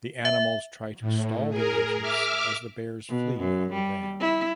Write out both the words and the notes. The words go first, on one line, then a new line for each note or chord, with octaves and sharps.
The animals try to stall the agents as the Bears flee on the van.
E5
A2
G#4 A#4
E5 D6 F6
B2
F#2
G3
E4